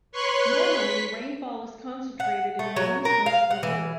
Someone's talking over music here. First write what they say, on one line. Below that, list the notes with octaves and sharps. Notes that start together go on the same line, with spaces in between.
Normally, rainfall is concentrated in the warmest months of the year.
B4 C#5 C6 C#6 F#6
B6
F#5
A3
F#3
A#4
F5
F#5
E3